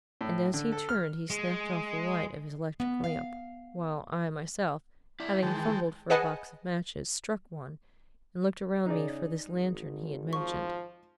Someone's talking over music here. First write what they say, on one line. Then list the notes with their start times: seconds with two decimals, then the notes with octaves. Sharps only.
And as he turned he snapped off the light of his electric lamp, while I myself, having fumbled for a box of matches, struck one and looked around me for this lantern he had mentioned.
0.21 A2
0.54 D3
0.72 A4
0.89 F6
1.30 G#3
2.80 B3
3.04 F5
5.20 E4 D5
5.43 D#3 E3 G#3 G5 A5
6.10 G#4 B4 D#5 F#5 G#5 A5
8.86 C#3 D#4 G#4 D5
9.49 G#1
10.33 F3 C#6